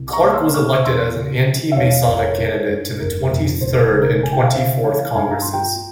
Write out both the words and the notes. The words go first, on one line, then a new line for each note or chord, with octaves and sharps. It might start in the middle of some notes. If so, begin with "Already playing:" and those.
Clark was elected as an Anti-Masonic candidate to the Twenty-third and Twenty-fourth Congresses.
Already playing: C2
A#5 C#6
A#3 F6
C6 E6
C3 C#6 F6
C#6
E2 C6 E6
C#3
F3
E5
E2 C#5 F5
F1
A#4 C#5
E4 A#4 C#5
G2
F1 A#4
F2
E1 C5
C5
C#3
A#4
C#3 G#5
G5
F5
C#3 C5 E5
E3 C#5 F5
G2 F5 G#5
A#5
F4 C6
G5 A#5
F4